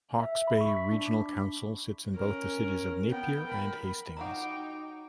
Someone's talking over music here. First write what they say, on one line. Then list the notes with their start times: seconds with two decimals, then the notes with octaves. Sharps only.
Hawke's Bay Regional Council sits in both the cities of Napier and Hastings.
0.20 E5
0.35 E5
0.48 B5
0.61 C#6
0.77 B6
0.92 D4
1.06 D6
2.16 C#4 A#4
3.11 B3 G5
3.47 A#4 B5
4.17 F#3 D#4 F#4 F#5 G5 A#5 D6